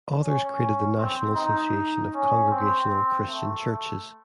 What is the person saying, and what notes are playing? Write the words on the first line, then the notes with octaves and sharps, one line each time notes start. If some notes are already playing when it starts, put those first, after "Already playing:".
Others created the National Association of Congregational Christian Churches.
C#4
C4
D#4
C#4
C4
A3